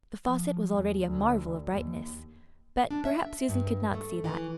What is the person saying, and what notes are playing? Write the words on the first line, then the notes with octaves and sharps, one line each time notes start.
The faucet was already a marvel of brightness; but perhaps Susan could not see that.
F3
E2
D2
D#2
D4
E5
G2
A3
E3